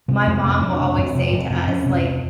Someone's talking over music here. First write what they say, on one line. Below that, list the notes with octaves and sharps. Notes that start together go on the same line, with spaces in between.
my mom will always say to us, like
C3 G3
F2 B3
C3 A#3
F2 D4
C3
F2
C3
F2
C3
F2 C#4
C3
F2